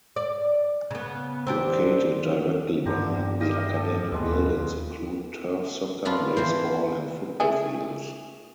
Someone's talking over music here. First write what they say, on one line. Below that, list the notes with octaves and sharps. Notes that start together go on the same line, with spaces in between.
Located directly behind the academic buildings include turf soccer, baseball and football fields.
D5
C#3 B3
C4 D4 G4
G2 D3 G4 A#5
G4 D#5 F5
G4 A4
D#2 B2 G#3 B4
C#4 D4 F4 B4
E3 A#3 C5
A3 E4 G#4